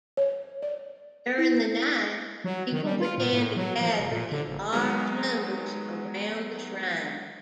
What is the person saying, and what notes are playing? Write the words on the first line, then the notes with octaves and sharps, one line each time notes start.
During the night, people began to gather in large numbers around the shrine.
C#5
D5
E4
F#3
D#3
G3
F4
A#2
A2
F#3
F3
F1
A#2
D3
F#1
D#3 F#3 G#3 B3